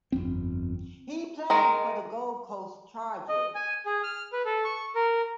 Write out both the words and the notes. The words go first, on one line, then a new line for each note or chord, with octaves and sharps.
He played for the Gold Coast Chargers.
G1 F2 C4
D#3 G#3 A#4
D#5
G#5
G#4
F6
B4
A4
C#6
A#4